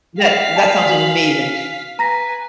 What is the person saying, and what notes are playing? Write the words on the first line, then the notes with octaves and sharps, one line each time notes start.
That that sounds amazing.
F5 G5 B6
D5 G#5 A5
F#4 G#5 F#7
B4 G#5 A#5 A#6 B6